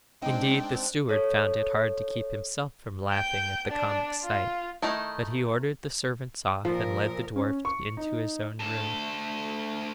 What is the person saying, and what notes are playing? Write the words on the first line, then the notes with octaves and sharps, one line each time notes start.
Indeed, the steward found it hard to keep himself from laughing at the comic sight, but he ordered the servants off and led the dwarf into his own room.
G#3 C4 D4 D#4 G5
A4 C#5
G5 G6
D4 D5
F4
D#3 A3 D#4 E4
A#2 F3 A#4
C#4
C#6
D#4
D2 A4